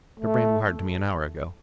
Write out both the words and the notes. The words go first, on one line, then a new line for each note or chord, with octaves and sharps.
"Mr. Brand wired to me an hour ago."
A3